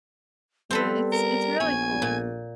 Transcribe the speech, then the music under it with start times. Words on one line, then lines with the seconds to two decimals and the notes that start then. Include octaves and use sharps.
Yeah, it's it's really cool.
0.71 G3 B3 C4 A4 B4
1.12 A#4
1.60 A#1 B3 C#5 G#5
2.02 A#2